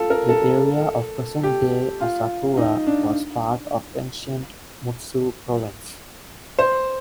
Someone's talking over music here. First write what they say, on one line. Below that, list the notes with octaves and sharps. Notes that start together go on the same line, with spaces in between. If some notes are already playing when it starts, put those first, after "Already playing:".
The area of present-day Asakura was part of ancient Mutsu Province.
Already playing: F4 A4
A#4
A4
G4
F4
D#4
D4
C5